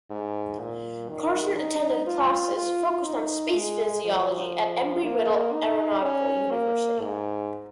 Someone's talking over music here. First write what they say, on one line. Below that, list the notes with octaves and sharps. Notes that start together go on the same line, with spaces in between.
Carson attended classes focused on space physiology at Embry–Riddle Aeronautical University.
G#2
A#2
D#3
D#4
F4
F4
D#4
G#3
F3
A#3
D#4
C#4
A#3
G#2